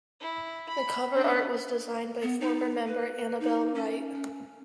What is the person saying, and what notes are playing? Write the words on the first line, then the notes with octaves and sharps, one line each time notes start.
The cover art was designed by former member Annabel Wright.
E4
B5
C#4 D4
B3
D#4
B4
D#4
C#4